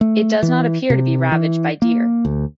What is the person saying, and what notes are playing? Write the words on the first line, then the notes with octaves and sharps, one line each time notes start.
It does not appear to be ravaged by deer.
A3
E3
C3
E3
A#3
D2